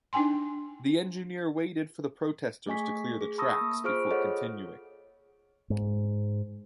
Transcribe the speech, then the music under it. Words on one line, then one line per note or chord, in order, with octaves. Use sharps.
The engineer waited for the protesters to clear the tracks before continuing.
D4 D#4 G5 G#5 C6
A3 G#4 D#5 G#5 C#6 B6
G#4
A5 B5 C#6 D#6 E6 A#6
A#3
F4 G#4 C5 C#6 F6 D7
F4 G#4 A4 C#5 D#5 F#5
G#2